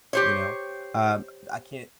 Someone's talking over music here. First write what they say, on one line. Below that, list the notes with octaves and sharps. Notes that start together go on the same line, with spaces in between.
you know? Um, I can't
G4 C5 C#5